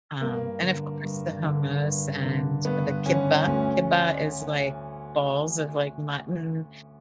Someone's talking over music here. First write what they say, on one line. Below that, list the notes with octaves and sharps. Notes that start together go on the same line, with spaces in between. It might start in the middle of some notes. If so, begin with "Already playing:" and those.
Um, and, of course, the hummus and the كِبّة. كِبّة is, like, balls of, like, mutton
G2 A#3
D3
G2
D3
G2
D3
G2 B3
D3 C#4
D2 C#4